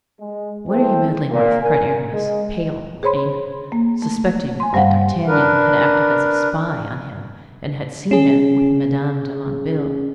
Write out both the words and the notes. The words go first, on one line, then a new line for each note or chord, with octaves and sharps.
"What are you meddling with?" cried Aramis, pale with anger, suspecting that D'Artagnan had acted as a spy on him and had seen him with Madame de Longueville.
G#3
E3 C4 G#4 A4 C5
A#2
A#4 G#5
G#3
G#4 C5 C#5 B5 C6
A#3
A3
G#5 C6
G2 G3 C5 F5 F#5
D4 A#4 B4
C#4 G#4